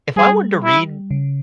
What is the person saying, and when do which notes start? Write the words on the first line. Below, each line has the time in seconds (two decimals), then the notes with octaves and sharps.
If I wanted to read,
0.16 G3 G#4
0.64 E4
1.11 C#3